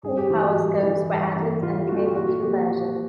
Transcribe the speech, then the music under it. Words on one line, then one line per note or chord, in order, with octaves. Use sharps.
Four-power scopes were added, and came in two versions.
G2 G#4
G4
E3 A3 G4
F#4
G2
E3 A3
G2
E3 A3
G2 F4
E3 A3 F#4
G4
A#2 F#4
F3 A#3 G4
A#2